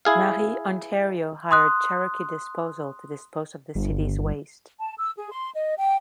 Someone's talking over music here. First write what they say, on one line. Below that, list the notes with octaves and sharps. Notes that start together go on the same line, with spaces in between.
Marie, Ontario hired Cherokee Disposal to dispose of the city's waste.
E4 G#4 F5
C6 D#6 F#6
G1
A5
E6
G#4
C6
D#5
G5